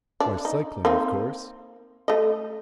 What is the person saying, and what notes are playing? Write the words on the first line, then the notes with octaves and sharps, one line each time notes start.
"Why, cycling, of course."
D4
D#4
A#3 C4 D#4
A3 D#5